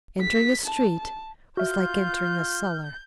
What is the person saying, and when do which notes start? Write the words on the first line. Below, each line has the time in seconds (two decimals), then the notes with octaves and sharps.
Entering a street was like entering a cellar.
0.21 B6
0.66 A5
1.00 A5
1.57 F4 F#4 E5 F6 G6